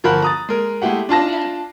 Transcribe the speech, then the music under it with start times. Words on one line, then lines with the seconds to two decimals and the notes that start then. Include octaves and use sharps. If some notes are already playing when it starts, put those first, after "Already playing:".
Oh, yeah.
0.04 G1 F3 A#4 F#5 B5 F#6
0.22 A#5 D#6 A6
0.49 G#3 A#4
0.82 G#3 A3 E4 G4 F#5
1.09 D4 F4 A5 A#6